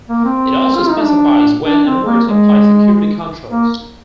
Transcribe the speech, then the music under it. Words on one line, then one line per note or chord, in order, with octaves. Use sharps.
It also specifies when and where to apply security controls.
A#3
C4
F4
D#4
D4
D4
C4
A#3
G#3
A#3